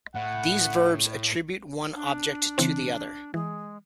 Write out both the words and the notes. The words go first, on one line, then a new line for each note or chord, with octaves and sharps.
These verbs attribute one object to the other.
A2 F#5
D4
C#3 E3 C4
E3 G#3